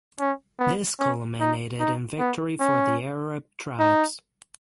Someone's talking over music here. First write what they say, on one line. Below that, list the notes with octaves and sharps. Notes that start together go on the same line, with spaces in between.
This culminated in victory for the Arab tribes.
C#4
B3
C#4
D#4
D#4
B3
C#4
D#4